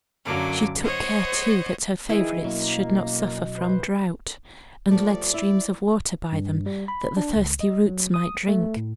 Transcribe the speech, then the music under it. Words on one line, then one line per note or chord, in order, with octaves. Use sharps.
She took care, too, that her favorites should not suffer from drought, and led streams of water by them, that the thirsty roots might drink.
F#2 D3 F#3 A#3 D6
C5 C#5 D#5 F#5
D#3 E3 E4 G#4 D#5
B1 F#3 A#3 C#4
E3 B4 C5
F3 G3 A3 D5
E4
G2
G3
B5
D4
C#2
D#5
F#3
D#6
A3
A2